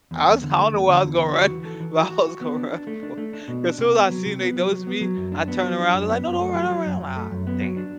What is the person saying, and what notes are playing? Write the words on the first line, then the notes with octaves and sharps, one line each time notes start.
I was I don't know where I was gonna run, but I was gonna run for it, 'cause as soon as I seen they noticed me, I turn around, they're like, "No no don't run don't run." I'm like, "Aw, dang it."
E2
E2
D3
A3
E2
D3
E2
D3
F#4
E3
A4
E3
F#4
F#4
F#4
B3
D4
D4
A3
D4
A3
D4
B2
D4
C3
B3
F#3
C3
B3
F#3
F#3
B3
F#3
F#2
D4
B3
F#3
D4
F#2
B3
F#2
A3
F#3
F#3
F#2
F#2
A3
F#2
B3
F#3
D4